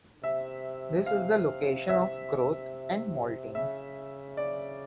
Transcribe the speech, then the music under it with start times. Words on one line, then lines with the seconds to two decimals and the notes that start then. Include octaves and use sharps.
This is the location of growth and molting.
0.24 C3 E5
1.06 F5
1.89 E5
3.55 C#3 E5
4.37 D5